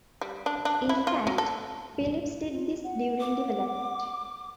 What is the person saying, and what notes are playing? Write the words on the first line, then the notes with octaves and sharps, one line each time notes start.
In fact, Philips did this during development.
G3
D4
D4
E4
F4
F#3
A4
F4
F#5
D6